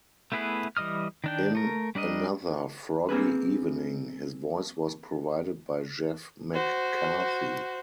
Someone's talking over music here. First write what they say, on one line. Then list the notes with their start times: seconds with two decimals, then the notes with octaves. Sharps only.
In "Another Froggy Evening", his voice was provided by Jeff McCarthy.
0.32 A3 B3 E4 G#4 B4
0.77 E3 G3 D#5 D#6 F6
1.24 D#3 D4 G5
1.55 A3 A#4
1.95 G3 D4 A#4 D#5
3.09 A#3 C4 G#4 B4
6.53 F#4 C5